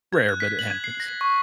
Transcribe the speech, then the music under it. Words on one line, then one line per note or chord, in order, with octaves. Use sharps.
Rare, but it happens.
G#6
F#6
B6
F#7
G#6
C7
A#6
C#6